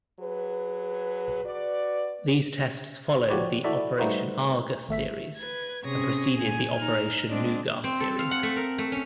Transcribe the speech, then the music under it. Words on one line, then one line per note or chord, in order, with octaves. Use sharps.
These tests followed the "Operation Argus" series and preceded the "Operation Nougat" series.
F#3 G#4 B4
F#4 B4 D5
F3 F#4 G4 B4 C#5 D5
E4 F#4 A4 D5 E5 B5
G3 A3 D#4 F#4 B4 C5
G#1 A3 E5 B6
B4 G#6
C3 C#4 G#4 C#5 D#6 A#6
A#2 G#5
D#4 F6
G#3 C4 D4 D5 D#5
C4
A4
F5
F#5
A3
A#4
A3
C#4